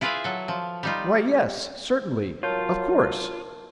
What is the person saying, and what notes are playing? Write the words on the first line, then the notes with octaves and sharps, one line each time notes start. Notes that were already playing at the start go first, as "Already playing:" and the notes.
Why yes, certainly, of course!
E4 F4 G#4 B4 E5 F5
F#3 A4
F3
G3 D#4 F4
F#3 F4 A#4 C#5 A5 F6 G6